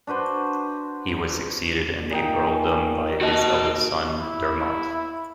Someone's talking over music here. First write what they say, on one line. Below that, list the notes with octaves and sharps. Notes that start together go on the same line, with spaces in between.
He was succeeded in the earldom by his eldest son, Dermot.
D4 F#4 B4 C5
A#2 D#4 G5
G#5
F#4 D#5
E4